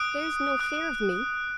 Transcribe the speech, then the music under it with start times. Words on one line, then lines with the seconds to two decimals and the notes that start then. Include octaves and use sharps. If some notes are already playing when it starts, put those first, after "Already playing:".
There's no fear of me.
Already playing: D#6 F#6 D7
0.60 D#6 F#6